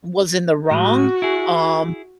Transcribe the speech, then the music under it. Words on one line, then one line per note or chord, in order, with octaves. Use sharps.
was in the wrong, um,
A2 G#3 F#4
E4 G#4